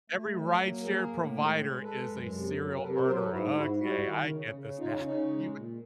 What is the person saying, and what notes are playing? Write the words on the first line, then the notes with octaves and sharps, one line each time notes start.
every rideshare provider is a serial murder, okay, I get this now. You w
A3
F#3
A#3
A#3 G#4 A#4
A2
G#3
G#3
G#3 A4 B4
F#2
C3
F#3
A#4
C3 A4 B4
A#4 C5
F#3 A#4 C5
A4 B4
G#2 E4 F#4
G#2 E4 F#4
G3 E4 F#4
D#3
C#3
C#3
C#3 D#4 F4
C#3 C#4 D#4
G#3
A#2